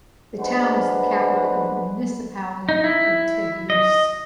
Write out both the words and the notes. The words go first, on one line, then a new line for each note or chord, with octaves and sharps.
The town is the capital of the municipality of Teguise.
G#3 D4 F#4 B4 C5
D#4
E4
D#5